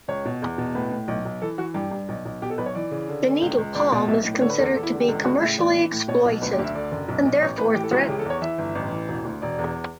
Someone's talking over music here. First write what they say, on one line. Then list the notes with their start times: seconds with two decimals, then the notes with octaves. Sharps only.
The needle palm is considered to be commercially exploited and therefore threatened.
0.08 C#2 C#5
0.25 B2
0.42 E2
0.58 B2
0.75 A2 B4
0.91 A2
1.08 B1
1.25 B1
1.42 E3 A4
1.58 E3 F#4
1.74 G2 G4
1.91 G2
2.09 B1
2.25 B1
2.42 B2 G4
2.50 A4
2.58 B1 B4
2.66 C#5
2.75 E3 D5
2.91 C#3
3.08 D3
3.25 D3
3.42 C#2
3.58 C#2
3.75 C#2 D5
3.92 B2 D5
4.08 B1 E5
4.25 A2
4.41 D3 C#5
4.50 B4
4.58 E2 A4
4.75 E2 A4
4.83 E4
4.92 D3
5.00 G4
5.08 C#2 A4
5.24 C#3 F#4
5.41 A2 E5
5.58 E3 D5
5.75 E3
5.92 A2
6.08 B2 C#5
6.25 B1
6.42 D2 B4
6.53 G4
6.59 D2
6.64 E5
6.75 D3 D5
6.91 F#1
7.08 B1
7.25 B1
7.41 A1 C#5
7.58 A2 B4
7.75 E3 G4
7.84 A4
7.91 C#2 F#4
8.00 E4
8.08 C#3 G4
8.19 A4
8.25 E2 C#5
8.41 E3 E5
8.58 G1
8.75 A1
8.91 E3
9.08 E1
9.25 D2
9.42 E1 D5
9.59 E2